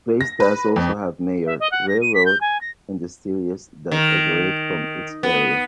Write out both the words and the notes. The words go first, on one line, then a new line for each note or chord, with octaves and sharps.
Placetas also has mayor railroad industries that operate from its area.
A#6
B4
F2
E5
D#5
F#5
A#6
D#7
B6
G6
G#5
A#6
D#3
B3